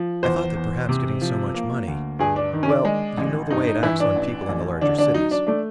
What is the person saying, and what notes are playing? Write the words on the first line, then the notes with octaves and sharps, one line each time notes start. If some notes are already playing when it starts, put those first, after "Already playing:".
I thought that perhaps getting so much money,--well, you know the way it acts on people in the larger cities.
Already playing: F3
E2 C5
E2
C3
F3
A#3
D2
G2 G#4
D4
D#3
C#4
D4
G#3
A1
G2 D#4
D#4
E3 E4
D4
A1
A1
D3 D4
D4
F#3 D#4
D4
A3 D4